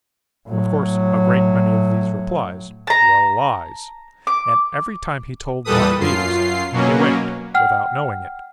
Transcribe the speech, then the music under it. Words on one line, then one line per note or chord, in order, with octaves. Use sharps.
Of course a great many of these replies were lies, and every time he told one of these, he winked without knowing it.
A2 F#3
A5 A#5
D6
E2 A#2 G3 A4 B4 D#6
F#2 F4 C7
B2 F#3 A#3 C#4
F#5 G5 F6